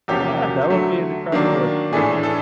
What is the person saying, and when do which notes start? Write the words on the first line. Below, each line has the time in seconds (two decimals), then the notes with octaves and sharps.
Yeah, that would be an incredible experience.
0.08 E2 C3 F3 A#3 C#4 G4
0.40 F#4
0.70 D3 F#3 A3
1.32 D#3 F#3 A#3 D4
1.93 A2 E3 A3 D4 G#4
2.23 A4